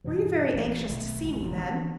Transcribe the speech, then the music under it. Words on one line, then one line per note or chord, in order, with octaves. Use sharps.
"Were you very anxious to see me, then?"
G2 B2 E3
A1 A#2 G3
B1 D#3 A3
G#1 C#2
E1 A1 F3 G3
D3 E3 F3 B3